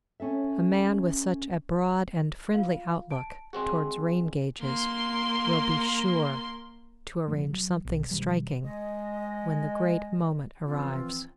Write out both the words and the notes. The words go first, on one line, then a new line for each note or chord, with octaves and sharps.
A man with such a broad and friendly outlook towards rain-gauges will be sure to arrange something striking when the great moment arrives.
C#4 A4 E5
F4 F5
A5 D7
G#3 C4 F#4 G#4 C6
A#3 C6
C3 F3 A3
F#3
B1
B2 D#3 F#3 G3
G#3 D#5
E3 F3 C4 F4